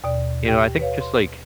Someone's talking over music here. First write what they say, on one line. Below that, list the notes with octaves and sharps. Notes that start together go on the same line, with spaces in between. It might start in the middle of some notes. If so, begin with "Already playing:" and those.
you know, I think just like,
D#2 B2 D5
G4 G5
B4 C#5 F5
C6